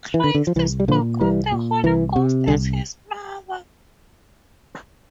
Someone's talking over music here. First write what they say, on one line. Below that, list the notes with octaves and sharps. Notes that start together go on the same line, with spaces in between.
Christ spoke of the Holy Ghost as his mother.
E3
D3
D3
F3
C2 E3
G3
A#2 D3 F3
C2 E3 G3
A#2
C2 E3
C3
C2 D3